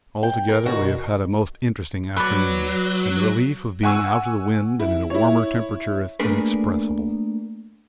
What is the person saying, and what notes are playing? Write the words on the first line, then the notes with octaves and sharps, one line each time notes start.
Altogether we have had a most interesting afternoon, and the relief of being out of the wind and in a warmer temperature is inexpressible.
G5
A#4
B2 D3 D#3 F#4
F#3 B4 D5
F#5 G#5 C#6 E6
E4
E4 C#5
A3 A#3 D4 G#4 A#4 B4